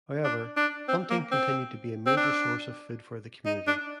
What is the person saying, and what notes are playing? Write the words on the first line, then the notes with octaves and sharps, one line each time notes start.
However, hunting continued to be a major source of food for the community.
D4
D4
C4
A#3
C4
C4
D4
D#4
D4